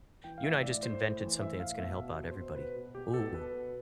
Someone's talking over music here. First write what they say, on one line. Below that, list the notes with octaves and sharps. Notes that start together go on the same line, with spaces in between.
you and I just invented something that's gonna help out everybody. Ooh!
E3 G5
F5
A2 E5
A2 D5
A2 C5
A2
E3 C5
A2 E5
A2 F5
B2 E5
B2
B2
C5
B2
B2 B4
B2
B2 G4
B2 A4
B2 B4
B2